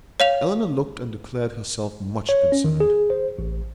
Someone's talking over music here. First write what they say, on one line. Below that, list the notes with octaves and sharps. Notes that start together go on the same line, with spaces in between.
Eleanor looked and declared herself much concerned.
C#5 F5 F7
C#5
C#4
D#3
G#4
C5
A1